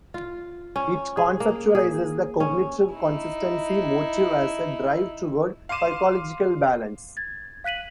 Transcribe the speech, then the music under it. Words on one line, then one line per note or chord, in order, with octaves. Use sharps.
It conceptualizes the cognitive consistency motive as a drive toward psychological balance.
F4
C#4
G#4
A#3
G#4
C#4
D#4 E4
F5 C6 D6 D#7 E7
G#6 A6
F5 F#6 B6 D#7 F#7